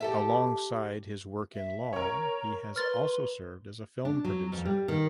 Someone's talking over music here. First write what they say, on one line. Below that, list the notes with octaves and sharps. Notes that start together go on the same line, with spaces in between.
Alongside his work in law, he has also served as a film producer.
G4 A4 E5
E5
A#4 C#5 A#5
B4 C6 F6 A6
D4
F#3
F2
G3
D#3